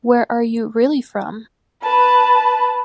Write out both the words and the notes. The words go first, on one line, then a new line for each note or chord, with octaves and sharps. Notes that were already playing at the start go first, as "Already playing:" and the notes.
Where Are You Really From?
B4 A5